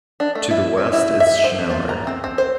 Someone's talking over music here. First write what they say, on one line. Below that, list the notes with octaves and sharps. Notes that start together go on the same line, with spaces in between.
To the west is Schneller.
D4
A3
E4
C4
E4
E5
C5
F4
A#5
C4
C4
C5